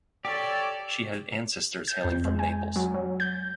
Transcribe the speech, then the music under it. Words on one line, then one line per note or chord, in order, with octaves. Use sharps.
She had ancestors hailing from Naples.
G4 A4 C#5 D5
G6
F2
G#3
G#5
F#3
F#3
G6